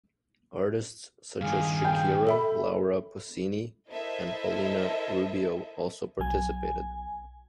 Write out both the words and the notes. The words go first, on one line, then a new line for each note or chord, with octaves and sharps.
Artists such as Shakira, Laura Pausini and Paulina Rubio also participated.
G2 D#3 G#4 F5
G5
A4 E5 B5
E4 A4 A#4 C5 D#5 E5
B1 F#3 G#5